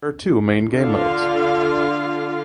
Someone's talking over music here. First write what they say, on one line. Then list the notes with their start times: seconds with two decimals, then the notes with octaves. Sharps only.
There are two main game modes.
0.74 D3 F4 F5